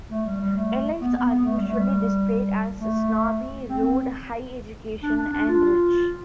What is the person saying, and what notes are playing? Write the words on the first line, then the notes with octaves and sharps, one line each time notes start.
Elites are usually displayed as snobby, rude, high education and rich.
A3
G3
G3
A3
B3
B3
B3
A3
G3
A3
G3
A3
C4
C4
D4
D4
D4
F4